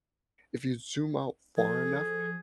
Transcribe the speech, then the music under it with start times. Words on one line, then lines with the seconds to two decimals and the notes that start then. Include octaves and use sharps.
If you zoom out far enough,
1.57 F3 G#4 A4